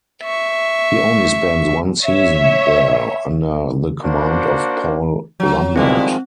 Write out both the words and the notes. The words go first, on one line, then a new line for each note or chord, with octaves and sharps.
He only spends one season there, under the command of Paul Lambert.
E5 C#6
C#5 E5
A#3 D4 F#4 C5
F#3
B2 D#3 F3 G3 G#3 C4 E4